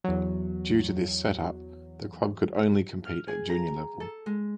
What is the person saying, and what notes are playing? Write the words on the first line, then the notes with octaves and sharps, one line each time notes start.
Due to this set-up the club could only compete at Junior level.
E2 F#3
F6
G#4
A#5
A4
G#3